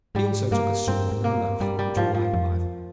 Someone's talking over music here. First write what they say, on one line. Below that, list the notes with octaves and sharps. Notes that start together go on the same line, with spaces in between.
He also took a sword and a loaf, which were lying by them.
G#2 G3
G2 A#3
G2 C4
G#2
A#3
G2
G2 G3
G3
G#2 F3
F3
F2